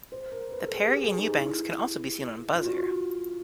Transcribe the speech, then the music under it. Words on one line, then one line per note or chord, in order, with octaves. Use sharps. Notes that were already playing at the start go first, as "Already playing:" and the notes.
The Perry and Eubanks can also be seen on Buzzr.
C5
A#4
B4
A4
G#4
G4
G#4
D#4
E4
F4
F#4
F4